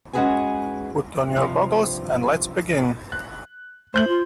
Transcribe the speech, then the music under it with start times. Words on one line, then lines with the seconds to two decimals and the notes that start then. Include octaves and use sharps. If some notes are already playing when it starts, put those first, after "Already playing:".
Put on your goggles and let's begin.
0.13 G#3 C#4 F#4 G#4 B4 G#5
1.36 G2 C3 F3
3.12 F#6
3.94 A3 C5 G6 F#7
4.08 F4